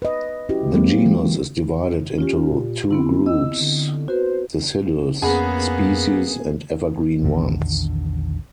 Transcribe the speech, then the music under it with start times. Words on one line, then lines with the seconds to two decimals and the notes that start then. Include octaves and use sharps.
The genus is divided into two groups - deciduous species and evergreen ones.
0.02 B4 D#5
0.49 C#4 E4 F#4 G4
0.74 F#3 G#3 A#3 C4
1.06 E3 G#3
2.18 C#4 F4 G4
2.51 A#2
2.91 D3 B3 C4 E4
3.26 D#5 E6
3.61 D3
4.08 F#4 B4 C5
5.22 F2 A#3 B3 C#4 G#4 F#5 B5
7.23 A#1 E2 D3 D#3